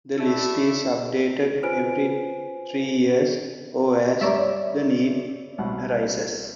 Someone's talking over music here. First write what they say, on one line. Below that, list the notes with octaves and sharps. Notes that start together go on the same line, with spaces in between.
The list is updated every three years, or as the need arises.
A3 D4 E4 E5
F4 B4 C5 G#5 D7
G2 G3 C#5 D5 E5 A#5
C2 B2 F#5